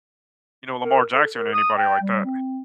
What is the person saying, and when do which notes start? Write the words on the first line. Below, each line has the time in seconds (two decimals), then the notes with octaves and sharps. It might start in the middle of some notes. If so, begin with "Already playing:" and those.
you know, Lamar Jackson or anybody like that
0.84 A#4
1.13 A4
1.34 A#4
1.54 D#6
1.77 G5
2.02 G3
2.25 C4